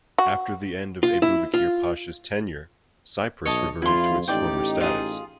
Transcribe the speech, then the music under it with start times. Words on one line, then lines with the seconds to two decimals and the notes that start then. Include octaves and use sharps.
After the end of Ebubekir Pasha's tenure, Cyprus reverted to its former status.
0.18 F#4
1.03 F4
1.22 E4
1.54 F4
3.45 B1 C#5 D#5 A5
3.82 F2 E4 F4 C6
4.28 A1 D#4 G4 D5 G5
4.81 F4 G#4